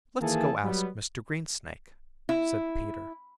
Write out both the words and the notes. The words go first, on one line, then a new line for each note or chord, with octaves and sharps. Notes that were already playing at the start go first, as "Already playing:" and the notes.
"Let's go ask Mr. Greensnake," said Peter.
D#3 E3 A#3 G#4 A4 A5
F#3 G3 B3
E4